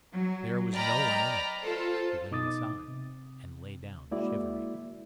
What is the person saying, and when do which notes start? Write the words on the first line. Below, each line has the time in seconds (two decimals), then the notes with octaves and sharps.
There was no one in it; he went inside, and lay down shivering.
0.14 F#3
0.74 D5 D#5 G5 A#5 B5 F6
1.61 F4 A4 C5
2.31 B2 D#4 D6 D#6 A6
2.88 C3
4.11 G#3 A#3 E4 F#4 D5 E5